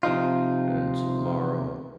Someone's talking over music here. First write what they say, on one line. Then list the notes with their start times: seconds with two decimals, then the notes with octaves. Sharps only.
"And tomorrow,
0.03 C3 F3 D#4 F4